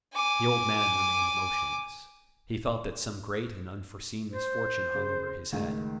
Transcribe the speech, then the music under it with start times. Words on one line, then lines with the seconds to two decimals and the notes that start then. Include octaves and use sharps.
The old man remained motionless; he felt that some great and unforeseen misfortune hung over his head.
0.14 G#5 D6
4.31 C5
4.95 C#3
5.52 C#2 A2 D#3